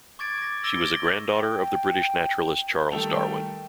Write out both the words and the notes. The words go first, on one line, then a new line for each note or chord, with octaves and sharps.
She was a granddaughter of the British naturalist Charles Darwin.
C#6 D6 G#6 A6 D7
D6 A#6
E6 A#6 D7 G7
G5
D#3 G3 A3 A4 G5 F7